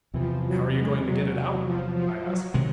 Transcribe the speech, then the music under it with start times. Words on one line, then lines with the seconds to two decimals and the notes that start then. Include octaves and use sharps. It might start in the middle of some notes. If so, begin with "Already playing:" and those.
"How are you going to get it out?" I asked.
0.14 E2 C3 E3 F3
0.44 F#3
0.74 G#3
1.04 F#3
1.34 F#3
1.64 F3
1.94 F3
2.24 F#3
2.54 C3 D#3 G#3